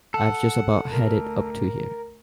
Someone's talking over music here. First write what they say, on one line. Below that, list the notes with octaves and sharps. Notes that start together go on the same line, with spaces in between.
I've just about had it up to here!
A4 F#5
D2 A#4